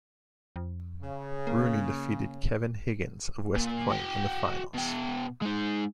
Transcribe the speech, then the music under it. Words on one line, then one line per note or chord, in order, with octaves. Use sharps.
Rooney defeated Kevin Higgins of West Point in the finals.
F2
C#3
A#3
A#2
F#4 G5
B2 G5
G#3 D#4